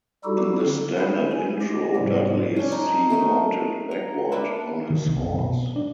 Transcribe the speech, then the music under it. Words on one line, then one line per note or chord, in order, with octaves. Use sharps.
In the standard intro, Dudley is seen mounted backward on his horse.
G3 D#4 E4 F#4 G4 A4
D3
E4 C5
G#5
G4 D#5
G#2 C3 F3 G3
C#4 D4
D#4
A3 A#4 D#5
A#5
A#3 D4 B4 E5
D#3
C2
F#1
B2
D4